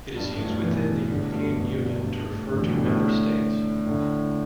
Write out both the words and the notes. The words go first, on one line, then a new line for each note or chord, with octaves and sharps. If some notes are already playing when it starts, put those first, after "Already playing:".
It is used within the European Union to refer to member states.
G2
A2
G2 B2
B2 E3
A2 D3
G2 B2
G2 B2
G2
G2
A2
A2 D3
B2 E3
D3 G3
A2 D3
A2 D3